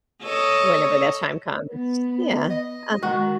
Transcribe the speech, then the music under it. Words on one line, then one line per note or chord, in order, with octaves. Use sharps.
whenever that time comes. Yeah, uh
A4 C#5 D#5
B3
D#5
D#3 G#3 F#4